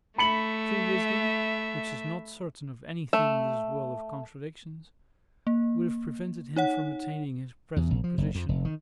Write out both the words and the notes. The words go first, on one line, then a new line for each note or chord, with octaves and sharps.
True wisdom, which is not certain of anything in this world of contradictions, would have prevented him from attaining his present position.
A3 E5 B5 C#7 F#7
A3
A#3
D#4 C#5 F#5
E2
A#1
F3
F#1
F2
F1
D#3